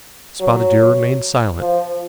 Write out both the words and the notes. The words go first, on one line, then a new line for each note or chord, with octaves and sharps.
Spotted Deer remained silent.
F#3
F3